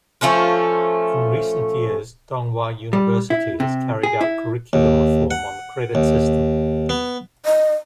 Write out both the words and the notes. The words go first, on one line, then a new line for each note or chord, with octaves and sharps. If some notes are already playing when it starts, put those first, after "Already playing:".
In recent years Donghua University has carried out curriculum reform on the credit system.
F3 A3 C#4 F4
G3
E4
C3
G#4
E4
D#2
F#5
D#2
B3
D#5